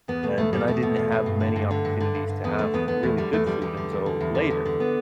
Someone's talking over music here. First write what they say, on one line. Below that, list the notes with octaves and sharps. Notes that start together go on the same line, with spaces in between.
and and I didn't have many opportunities to have really good food until later
E2 B3
B2 A3
E2 A3
B2 G3
E2 A3
B2
E2
B2
G2
D3
G2
D3
G2
D3
G2
D3
E2 B3
D3 A3
E2 B3
D3 B3
E2 A3
D3 G3
E2 A3
D3 G3
E2 G3
D3
E2
D3
E2
D3
E2
D3
B3